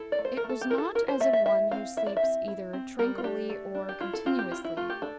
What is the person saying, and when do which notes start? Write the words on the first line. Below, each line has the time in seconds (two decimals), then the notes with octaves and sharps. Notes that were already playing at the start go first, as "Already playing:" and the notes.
It was not as of one who sleeps either tranquilly, or continuously.
Already playing: E4 A4
0.12 D5
0.19 A3
0.25 C5
0.37 A#4
0.44 A3
0.49 A4
0.61 G4
0.70 E4 A#4
0.78 A4
0.95 E4 A#4
1.08 C5
1.20 A3 E5
1.33 E5
1.46 E4 E5
1.71 C4 F5
1.97 E4 E5
2.06 D5
2.17 E5
2.23 C4
2.48 E4
2.73 C4
2.99 G3 A#4
3.18 F4
3.24 D4 G4
3.50 A3
3.75 D4
3.89 G4
4.00 E4 F4
4.13 A4
4.26 C4 F4
4.39 G4
4.51 E4 F4
4.64 E4
4.77 A3 F4
4.90 G4
5.02 D4 A4